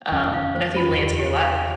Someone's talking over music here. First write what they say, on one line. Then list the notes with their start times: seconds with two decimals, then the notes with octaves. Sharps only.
Um, nothing lands in your lap.
0.12 F2 C#4
0.34 F5
0.55 C5
0.76 F4
0.91 F2
0.98 E2 G4
1.20 G4
1.42 F5